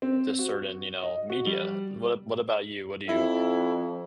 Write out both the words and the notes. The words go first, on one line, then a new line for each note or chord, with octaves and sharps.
this certain, you know, media. What a what about you? What do you
C4
F#4
D#5
F#4
G3
F2 E4 E5